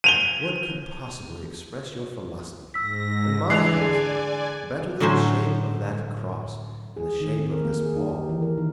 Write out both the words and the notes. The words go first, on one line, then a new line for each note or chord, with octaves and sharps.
What could possibly express your philosophy and my philosophy better than the shape of that cross and the shape of this ball?
D#7 F7 G7
G#2 E6 A#6 B6
E3 G#3 D4 D5 G#5 C7 F7
D3 G#4
A2 D3 F#3 C#4 C5
G#4
D#3
C4
A#4
A#3
G#4
D#4
G4
E3
A#4
D#3